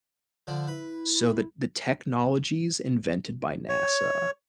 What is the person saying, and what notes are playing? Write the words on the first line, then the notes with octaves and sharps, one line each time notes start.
So, the the technologies invented by NASA,
D3 F3 D4
E4 B4
C#5